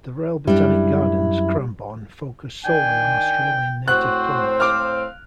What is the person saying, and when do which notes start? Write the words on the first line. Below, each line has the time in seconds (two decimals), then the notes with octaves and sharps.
The Royal Botanic Gardens, Cranbourne focus solely on Australian native plants.
0.47 F#2 G3 D4 E4
2.65 D#3 D4 G5 G#5
3.88 A2 C4 F#4 C5 F#6
4.60 F5 D6 F6